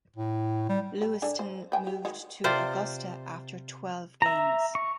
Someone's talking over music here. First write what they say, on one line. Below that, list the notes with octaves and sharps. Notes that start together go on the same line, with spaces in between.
Lewiston moved to Augusta after twelve games.
A2
G3
G3
D4 G#4 A4
C5
B4 G5 G#5
G4
D#3 G#3 F#4
C3 F4 C5 D5
E5 A#5
C#6